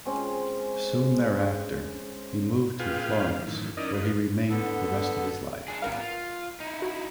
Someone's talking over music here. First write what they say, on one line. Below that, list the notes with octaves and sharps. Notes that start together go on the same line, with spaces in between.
Soon thereafter, he moved to Florence, where he remained the rest of his life.
G#3 C4 C#4
A#2 F4 G#4 B4 F5 G5
F2 G3 F5
F#2 A2 D#3 E3
C#4 D#4 E4 A#4 D5 D#5
D#4 F4 B4
D3 B3 A4
D4 G#4
A1 G3 B3 E4 A#4 F5
F4
D#4 E4
F#4